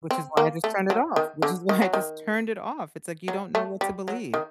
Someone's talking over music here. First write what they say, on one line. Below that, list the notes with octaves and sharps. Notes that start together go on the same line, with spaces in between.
Which is why I just turned it off, which is why I just turned it off, it's like you don't know what to believe.
C4
A#3
A3
F#3
D#3
D3
D#3
F#3
D#3
F#3
A3
G3
F#3
D#3